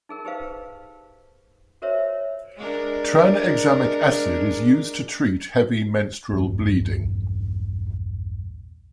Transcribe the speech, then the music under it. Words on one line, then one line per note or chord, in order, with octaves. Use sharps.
Tranexamic acid is used to treat heavy menstrual bleeding.
D#4 G#4 A#4
D#4 G4 B4 C5 F5
F#4 A#4 C5 C#5 E5
G#3 D4 A#4
A#1 E2 G2 A#3